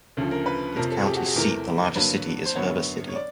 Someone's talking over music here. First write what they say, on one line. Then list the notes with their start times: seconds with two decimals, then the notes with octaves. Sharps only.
Its county seat and largest city is Heber City.
0.17 D2 C#3 F3
0.31 A#4
0.46 B4
0.76 F2 C3 F3 A#4
0.91 A4
1.00 G#4
1.06 G4
1.17 F#4
1.26 G#4
1.36 E2 C3 E3 A3 A#4
1.95 G2 D3 F#3 A#3 B4
2.45 C5
2.56 F#2 D3 F#3 B3 C#5
3.08 C#5
3.16 D5